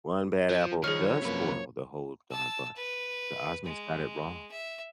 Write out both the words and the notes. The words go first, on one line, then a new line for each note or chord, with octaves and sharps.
One bad apple does spoil the whole darn bunch. The Osmonds got it wrong.
F3
D#3 F3 G#4 C#5 F6
F#2 C3 F3 A#3 B4
A5 E6
B4
G#3
E5